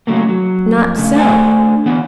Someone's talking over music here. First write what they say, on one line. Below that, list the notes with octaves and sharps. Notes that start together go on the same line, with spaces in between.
Not so.
C#3 F#3 A3 A#3
F#3
F2
C#3 A3
A3 D4 E4 C5 G#5
D3 E3 B3